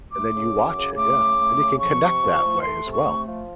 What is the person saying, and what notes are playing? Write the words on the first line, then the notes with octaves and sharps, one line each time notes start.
And then you watch it, yeah. And you can connect that way as well.
A3 D6
C#3
F#2
C#3
A3 D6
C#3
A3
C#3
F3 C#6
C3
F3
A3
A3 C6
C3
C#6
A3
F3